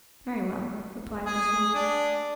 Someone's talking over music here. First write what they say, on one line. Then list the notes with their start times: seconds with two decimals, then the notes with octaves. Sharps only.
"Very well," replied Ozma.
1.25 G#4
1.74 D4